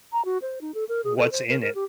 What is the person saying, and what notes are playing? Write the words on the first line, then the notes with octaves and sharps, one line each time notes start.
what's in it.
A#5
F#4
C5
D#4
A4
A#4
G#4
A4
C5
A#4
A#4
G4